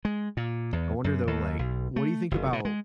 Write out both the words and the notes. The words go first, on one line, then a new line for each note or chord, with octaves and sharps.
I wonder, though, like, what do you think about
G#3
A#2
E2
F#2
D#2
B1
A3
F#1
B2
G#3